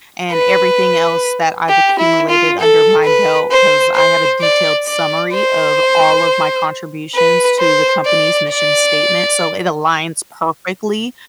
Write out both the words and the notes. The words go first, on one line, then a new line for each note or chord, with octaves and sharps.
and everything else that I've accumulated under my belt, 'cause I have a detailed summary of all of my contributions to the company's mission statement, so it aligns perfectly,
B4
G4
E4
F4
A4
B4
C5
C5
D5
D5
C5
B4
C5
D5
D5